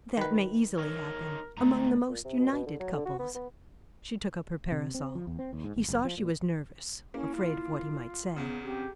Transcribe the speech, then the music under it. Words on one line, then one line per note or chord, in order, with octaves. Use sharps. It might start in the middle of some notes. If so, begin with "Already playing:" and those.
"That may easily happen, among the most united couples!" She took up her parasol; he saw she was nervous, afraid of what he might say.
D#3 B4
D#4 A4 A#4 C#5
D2 G#3 E4 A#5
A#2
C3
B2
B2
D3
F#3
D3
F#4
B3
B3
C3
C4
F3
E2
C4
D#2
G#2
G#1
F#1
F3
A#2
A#3 C#4 E4
F4
E2 C#3 B3
C4 G4